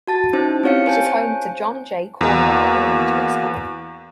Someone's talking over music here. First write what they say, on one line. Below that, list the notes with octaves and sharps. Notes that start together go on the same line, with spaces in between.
It is home to John J. Cornwell Elementary School.
F#4 A5 A6
C#4 D#4 E4 C5
C4 G4 C#5 F5 C#7
C5 G#5 A5 G6
E2 A#3 F#4